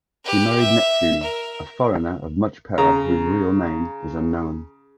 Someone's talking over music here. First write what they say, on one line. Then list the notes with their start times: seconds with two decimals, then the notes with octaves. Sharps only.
She married Neptune, a foreigner of much power whose real name is unknown.
0.24 G4 B4
0.59 E5
1.23 A#4
2.78 C#3 A#5